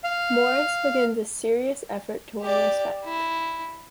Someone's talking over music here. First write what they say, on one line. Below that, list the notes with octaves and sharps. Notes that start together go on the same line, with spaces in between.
Morris begins a serious effort to win respect.
F5
G4 D5
E4